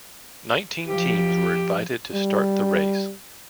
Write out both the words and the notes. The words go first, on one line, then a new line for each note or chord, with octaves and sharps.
Nineteen teams were invited to start the race.
F3 G4
G3